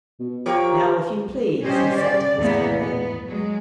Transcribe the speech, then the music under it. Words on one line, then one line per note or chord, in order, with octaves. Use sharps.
"Now if you please," he said to his companion.
B2
F3 G4 A#4 C#5
G3 C#4 G4 C5 D#5
D5
E2 A2 A#3 B3
B3
F#3 G#3